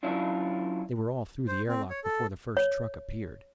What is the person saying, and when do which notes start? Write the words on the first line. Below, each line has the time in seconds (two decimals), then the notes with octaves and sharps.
They were all through the air lock before the first truck appeared.
0.03 F#3 C#4 D4 E4 F4
1.47 C5
1.68 C4
1.90 C#5
2.04 A4
2.57 C#5